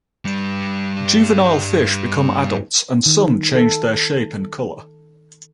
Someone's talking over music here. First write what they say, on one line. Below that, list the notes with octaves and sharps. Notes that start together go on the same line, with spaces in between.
Juvenile fish become adults and some change their shape and colour.
G2 G3
D#3
A4